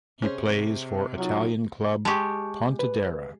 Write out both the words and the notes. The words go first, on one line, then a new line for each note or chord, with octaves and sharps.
He plays for Italian club Pontedera.
C3 C#4 G#4 C5
F#3 D#4 F4
G#3 G4 A5 C#6
B4